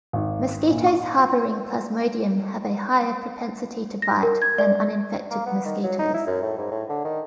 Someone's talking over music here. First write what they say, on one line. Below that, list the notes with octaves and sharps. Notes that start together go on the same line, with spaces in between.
Mosquitoes harboring "Plasmodium" have a higher propensity to bite than uninfected mosquitoes.
G#1
A#2
C#6
A#6
A#4
G#6
D5
A#3
B3
D#3
F#3
D#4
E4
F#2
A2
G#2
A2
D3
D#3